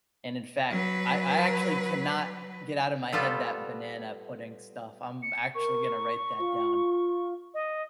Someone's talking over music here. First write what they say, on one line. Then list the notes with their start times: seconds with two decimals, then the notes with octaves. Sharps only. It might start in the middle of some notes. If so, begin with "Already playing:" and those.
and, in fact, I I actually cannot get out of my head that banana pudding stuff, I'm actually gonna write that down.
0.70 F#3 B4
3.13 G3 B3 F4 A4
5.23 C#7
5.55 A#4 C#6
6.39 F4
7.54 D#5